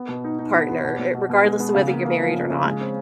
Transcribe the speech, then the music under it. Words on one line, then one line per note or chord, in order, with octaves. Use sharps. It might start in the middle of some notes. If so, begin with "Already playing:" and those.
partner, uh, regardless of whether you're married or not,
Already playing: B3
B2
D#4
D#4
B3
B3
B2
B2
B2
B2
G#3
B3
C#3
A#3
A#3
F3
C#3
C#3
G#3
C4